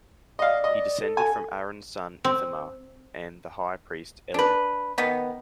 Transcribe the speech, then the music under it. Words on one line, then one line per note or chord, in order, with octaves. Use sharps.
He descended from Aaron's son Ithamar and the high priest Eli.
D5 D#5 F5
D#5
A4
G#5
C4
D4 B4
D#3 B3